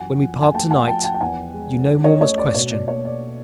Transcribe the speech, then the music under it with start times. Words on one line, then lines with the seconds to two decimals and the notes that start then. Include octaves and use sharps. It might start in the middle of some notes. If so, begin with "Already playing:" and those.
When we part to-night, you no more must question.
Already playing: F#2 E3 F#5 G#5
0.21 F3
0.42 G#5
0.54 A3 G5 A5
0.71 F#5 G#5
0.87 F3 G5 A5
1.04 G5 A5
1.14 G5
1.21 E2 F#5 G#5
1.54 G#3
1.87 C#4
2.04 C#5 D#5
2.21 A3 C#5 D#5
2.38 D5
2.54 B2 C#5
2.71 D5
2.88 A#3 C#5
3.05 D5